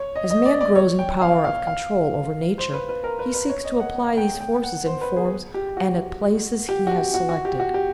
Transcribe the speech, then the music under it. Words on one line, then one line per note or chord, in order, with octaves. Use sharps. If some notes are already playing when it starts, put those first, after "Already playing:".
As man grows in power of control over nature, he seeks to apply these forces in forms and at places he has selected.
Already playing: C#5
D#5
D#5
D5
D5
C#5
G5
F5
F5
F5
C5
B4
B4
A#4
B4
B4
C#5
D#5
F#5
F#5
G5
G5
F#5
C5
B4
G#4
G4
F#4
G4
F#4
G4
F#4
F#4
G4
F#4
G4